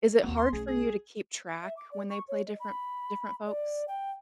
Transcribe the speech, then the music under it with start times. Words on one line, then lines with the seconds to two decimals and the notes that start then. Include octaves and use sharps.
Is it hard for you to keep track when they play different different folks?
0.24 D#2 A#3 C4 F#4
0.38 C6
0.53 B1 A3 C#4 G#4
0.67 G#4
1.63 E5
1.77 D6
1.92 D5
2.09 C#6
2.28 C#5
2.47 D#5
2.60 B5
3.46 D5
3.88 G5